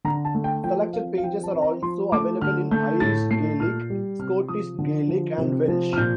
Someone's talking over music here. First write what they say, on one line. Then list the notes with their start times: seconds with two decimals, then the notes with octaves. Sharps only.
Selected pages are also available in Irish Gaelic, Scottish Gaelic and Welsh.
0.05 D3 A#5
0.25 A5
0.35 A3
0.44 G5
0.64 F3 G5
0.93 C4 F5
1.18 F5
1.23 F3 G5
1.43 A5
1.53 C4
1.62 A#5
1.83 F3 C6
2.12 A3 D6
2.41 D3 F6
2.71 A3 G6
3.00 A2 A6
3.31 A3 C7
3.60 A#2 F6
3.90 G3
4.19 C3 F6
4.48 F3 D#6
4.79 D3
5.08 F3
5.38 C3
5.68 F3
5.93 F6
5.97 A#2 G6